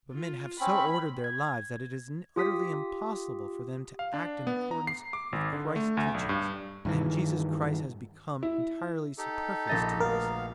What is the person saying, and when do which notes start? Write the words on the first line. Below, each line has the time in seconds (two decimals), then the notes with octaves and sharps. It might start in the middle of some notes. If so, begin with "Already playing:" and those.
But men have so ordered their lives that it is utterly impossible for them to act in accordance with Christ's teaching, and Jesus Christ has become entirely superfluous to us.
0.12 F4
0.60 C4 C#4 B5
1.24 G#6
2.36 F4 G4 D#6 B6
3.99 F5
4.14 D4
4.47 B3
4.71 A#5
4.87 C7
5.13 D6
5.32 G#1
5.53 D3
5.76 A3
5.97 D2
6.14 B1
6.29 G2
6.85 G2 D#3 E3
8.43 E4
9.18 D#4 G4 A4
9.67 A#1 D#5 A6
10.00 D2 B3 A#4 F5